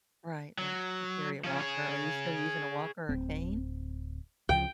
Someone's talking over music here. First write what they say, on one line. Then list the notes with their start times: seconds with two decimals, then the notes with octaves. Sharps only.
Right, right, or carry a walker. Are you still using a walker or a cane?
0.58 F#3
1.44 F3 C#4
1.60 G#4 C#5
3.09 D1 C4
4.49 C#2 C#3 F3 G5